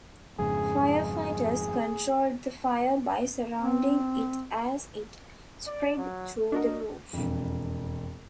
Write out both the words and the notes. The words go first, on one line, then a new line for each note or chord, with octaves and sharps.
Firefighters controlled the fire by surrounding it as it spread through the roof.
F2 G#2 C#3 G#4
G#4
C4
D5
F#3
D4 F#4 A#4 D#5
E1 F2